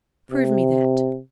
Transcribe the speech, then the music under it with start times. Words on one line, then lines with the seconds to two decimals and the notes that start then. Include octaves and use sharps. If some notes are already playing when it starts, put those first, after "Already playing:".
"Prove me that."
0.32 C3